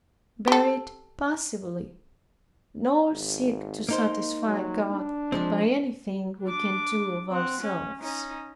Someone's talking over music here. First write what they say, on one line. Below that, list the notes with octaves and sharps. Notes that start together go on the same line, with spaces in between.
Bear it passively, nor seek to satisfy God by anything we can do of ourselves.
G4 A4
G#1
A#3 D#4 C5
F#3
D4
F3 G#3 C4
D4 D6
C4 F#5
C#4
C#4 D#4